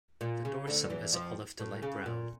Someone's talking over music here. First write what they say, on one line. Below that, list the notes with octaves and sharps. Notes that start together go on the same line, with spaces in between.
The dorsum is olive to light brown.
A#2
C#3
D2 D3
E2 E3
F2 F3
A2
C#3
A#2